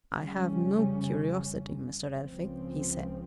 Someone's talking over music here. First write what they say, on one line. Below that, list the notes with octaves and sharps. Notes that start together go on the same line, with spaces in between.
"I have no curiosity, Mr. Elphick," he said.
F2 C#3 G3 C#4
C#2 C#3 F3 C4